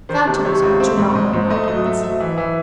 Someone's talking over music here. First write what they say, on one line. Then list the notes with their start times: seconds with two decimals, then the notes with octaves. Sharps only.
Phantoms do not wear round hats.
0.09 D#3 C5
0.27 C3
0.45 C3 C#5
0.62 C#2
0.80 C4
0.97 G#2
1.15 G#2 D#5
1.33 G#2
1.50 A3 D#5
1.68 F#3 D#5
1.85 A3 E5
2.03 F#3 E5
2.20 E3
2.38 E3